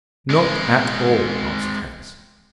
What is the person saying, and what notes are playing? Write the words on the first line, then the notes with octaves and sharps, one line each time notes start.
'Not at all!' answered Hans.
G#3 C4